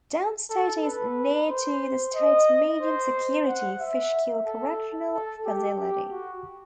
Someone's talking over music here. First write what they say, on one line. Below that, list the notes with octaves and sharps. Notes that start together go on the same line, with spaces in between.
Downstate is near to the state's medium security Fishkill Correctional Facility.
A4
B4
C5
D#5
C5
F#5
E5
A4
A4
G4
G4
F#4